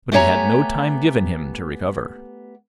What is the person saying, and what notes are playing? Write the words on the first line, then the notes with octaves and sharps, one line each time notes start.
But he had no time given him to recover.
A3 B3 G4 C#5 G#5 A#5